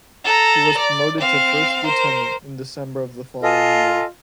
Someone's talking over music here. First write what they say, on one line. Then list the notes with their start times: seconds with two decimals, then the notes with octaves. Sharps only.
He was promoted to First Lieutenant in December of the following year.
0.24 A4 A#5
0.78 D5
1.20 C4 F5
1.85 A#4 C5
3.43 F4 A4 D#5 G#5